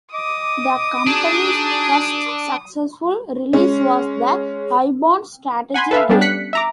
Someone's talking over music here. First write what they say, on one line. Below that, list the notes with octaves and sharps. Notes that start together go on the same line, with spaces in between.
The company's first successful release was the "Highborn" strategy game.
D#5 D6 D#6
D4 D#4 F#4 G#4
G#3 C#4
F#5 G#5 B5 C6
A4 B4 E5 F5
G3 B3 C#4 D4 G4
F#6 B6 C#7
E5 A#5 D6